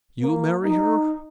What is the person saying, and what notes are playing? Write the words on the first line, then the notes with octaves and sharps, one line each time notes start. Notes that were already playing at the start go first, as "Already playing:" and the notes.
"You marry her!"
A#3
D#4